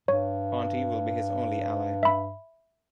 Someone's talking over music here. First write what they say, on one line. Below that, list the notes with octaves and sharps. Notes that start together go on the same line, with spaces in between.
Ponti will be his only ally.
G2 C#5
E5 B5